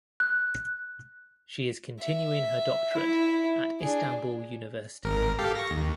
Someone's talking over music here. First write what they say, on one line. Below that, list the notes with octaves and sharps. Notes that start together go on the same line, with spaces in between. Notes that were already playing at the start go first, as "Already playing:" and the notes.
She is continuing her doctorate at Istanbul University.
F#6
E5
E4 E5
D4 G#4
G#1 A#4
G4 A4 F5
C#6 A#6
D#2